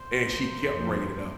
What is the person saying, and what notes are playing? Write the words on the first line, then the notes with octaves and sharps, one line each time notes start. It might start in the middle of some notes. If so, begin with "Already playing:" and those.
and she kept bringing it up.
Already playing: C5
C3 F3 A#3
F2 F3 A#3